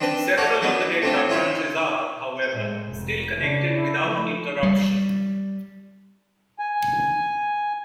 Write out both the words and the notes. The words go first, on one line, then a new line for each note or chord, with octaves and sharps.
Several of the delta branches are, however, still connected without interruption.
C4 D4 B4 G5 A5
F#4 A4 C#5 D5 F#5
F#3 B3 C#4 D4
A3 C4 D4 F4
C#4 E4 F4 C#5 E5
A2 G#3
F1
C#3 D4
E4
F3 A3
G3
G#5